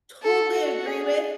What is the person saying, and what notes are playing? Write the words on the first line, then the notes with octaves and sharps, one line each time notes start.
totally agree with,
A4
F#4
G#4